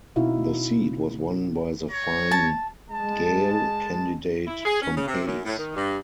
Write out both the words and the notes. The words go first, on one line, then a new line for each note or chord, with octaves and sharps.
The seat was won by the Fine Gael candidate Tom Hayes.
B2 C4 D#4 E4 F#4 F5
C#5 A#5
A5
G#3 A5
E4
G#4
C#4
C#3
C3
F#2
A2
D#3
G2